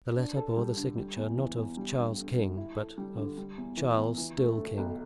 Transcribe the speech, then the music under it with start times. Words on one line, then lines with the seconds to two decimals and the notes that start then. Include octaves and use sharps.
The letter bore the signature, not of "Charles, King," but of "Charles--still king."
0.16 D4
0.37 A4
0.57 G3
0.77 D3
0.97 G3
1.16 E2
1.37 E3
1.57 E2
1.77 G3
1.97 G2
2.17 D3
2.37 G2
2.57 E4
2.77 A4
2.98 G3
3.17 D3
3.38 G3
3.58 E2
3.77 E3
3.97 E2
4.18 E3
4.38 A3
4.58 A2
4.78 B1